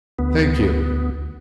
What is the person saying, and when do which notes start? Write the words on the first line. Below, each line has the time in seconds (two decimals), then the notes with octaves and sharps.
Thank you.
0.19 D2 B3